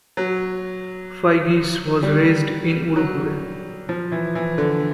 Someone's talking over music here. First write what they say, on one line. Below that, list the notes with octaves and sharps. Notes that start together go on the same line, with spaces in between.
Fygi's was raised in Uruguay.
F#3
G3
F#3
F3
E3
E3
D3